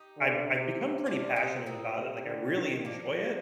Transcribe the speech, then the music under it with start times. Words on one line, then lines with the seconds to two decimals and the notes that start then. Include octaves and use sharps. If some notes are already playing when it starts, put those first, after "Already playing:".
I've I've become pretty passionate about it, like I really enjoy it,
Already playing: D#4 G4
0.18 D3
0.47 C3
1.06 C3 D4 F4
1.36 C3 C4 D#4
1.66 A#2 C4 D#4
1.96 C3
2.25 D3
2.55 D#3
2.85 F3 A#3 D4